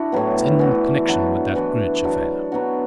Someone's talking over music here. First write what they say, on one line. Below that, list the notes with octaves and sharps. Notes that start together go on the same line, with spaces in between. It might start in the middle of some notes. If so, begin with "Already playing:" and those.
"It's in connection with that Greenwich affair."
Already playing: D4 E4 F#4
A2 F#3 B3
E3 B3 F#4
F#3 D4 F#4
E3 D4 F#4
F#3 D4 F#4
F#3 B3 D4 F#4